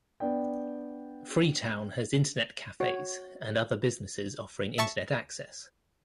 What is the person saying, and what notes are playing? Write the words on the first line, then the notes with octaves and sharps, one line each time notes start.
Freetown has Internet cafes and other businesses offering Internet access.
B3 D4 D5 G5
F#4 C#5
E5 A5 C#6